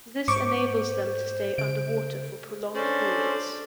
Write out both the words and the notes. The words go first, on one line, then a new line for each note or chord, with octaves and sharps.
This enables them to stay underwater for prolonged periods.
G#2 C5 C#6 D6
C#3 D7
C#4 D4 A4 C5 D5